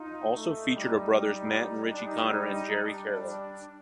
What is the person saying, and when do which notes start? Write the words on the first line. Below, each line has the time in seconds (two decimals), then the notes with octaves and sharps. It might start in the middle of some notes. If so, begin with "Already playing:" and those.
Also featured are brothers Matt and Richie Connor and Gerry Carroll.
Already playing: D#4 F4
0.29 D4
0.34 A3 D#4
0.76 G3
1.17 G3
1.89 D4
2.00 G3 D#4
2.42 D#4
2.82 G3 D4
3.25 D4
3.66 D4